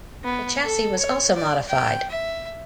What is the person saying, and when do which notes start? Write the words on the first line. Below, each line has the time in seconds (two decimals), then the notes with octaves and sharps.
The chassis was also modified.
0.24 B3
0.63 A4
0.99 C#5
1.36 D5
1.67 G5
2.10 E5